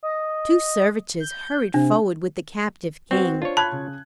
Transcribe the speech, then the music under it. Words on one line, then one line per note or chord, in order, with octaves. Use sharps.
Two servitors hurried forward with the captive King.
D#5
G6
C3 D4
B3 C4 F#4
D4 F4 C5 C#5
A5 B5 F#6 G#6
C#3